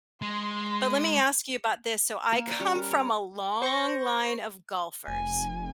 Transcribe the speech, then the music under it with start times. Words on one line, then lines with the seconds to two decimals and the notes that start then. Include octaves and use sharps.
but let me ask you about this so I come from a long line of golfers.
0.22 G#3 C6
2.32 A#3 A#4
2.47 B4 D5
2.60 G3 C#4 C#6
2.76 A#4
2.91 C#5 A#5
3.62 C5 C#6 G6 A#6
5.08 F1 G#5